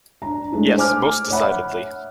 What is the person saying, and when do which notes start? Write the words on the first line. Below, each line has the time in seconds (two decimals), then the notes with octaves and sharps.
Yes, most decidedly.
0.22 D4 A#5
0.52 G#3 A3 D4 E4
0.78 C5 G#5 D6 F6
1.30 C#5 E5 F#5 B5